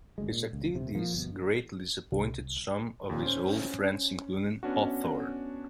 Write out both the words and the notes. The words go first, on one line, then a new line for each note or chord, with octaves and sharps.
His activities greatly disappointed some of his old friends, including Hawthorne.
G#1 D2 G#3
A#2
C#2
D#1 C3
F3 A#3
G1 B2
C2
D#2 A#2
C#4 C5
B3 C#4 D4 F#4